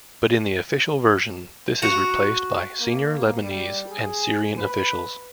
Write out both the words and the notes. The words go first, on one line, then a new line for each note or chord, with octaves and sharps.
But in the official version, this is replaced by "senior Lebanese and Syrian officials".
F#4 A#5
A#3
G3
G#4
B4